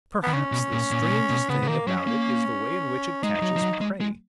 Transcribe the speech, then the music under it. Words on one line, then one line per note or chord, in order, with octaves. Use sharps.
Perhaps the strangest thing about it is the way in which it catches prey.
D#3 B3
C#3 C#4
B2
A#2
A#2
A#2
B2
B2
C#3 B3
C#3
D#3 A#3
F#3 C#4
A#3
G#3 D#4
F#3
F3
F#3
G#3
G#3